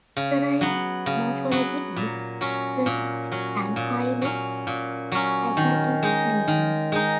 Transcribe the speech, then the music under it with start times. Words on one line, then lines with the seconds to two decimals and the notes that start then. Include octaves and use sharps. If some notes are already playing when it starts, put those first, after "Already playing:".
Karaim morphology is suffixing and highly agglutinating.
0.17 C#3
0.61 F#3 B3
1.06 C#3
1.51 F#3 B3
1.96 A#2
2.41 F#3 C#4
2.86 A#2
3.32 F#3 C#4
3.76 A#2
4.22 F#3 C#4
4.67 A#2
5.12 F#3 C#4
5.57 D#3
6.03 G#3 D#4
6.48 D#3
6.92 G#3 D#4